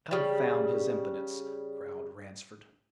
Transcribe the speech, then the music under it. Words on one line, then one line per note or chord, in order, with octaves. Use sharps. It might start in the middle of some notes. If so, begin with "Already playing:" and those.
"Confound his impudence!" growled Ransford.
C#3 G3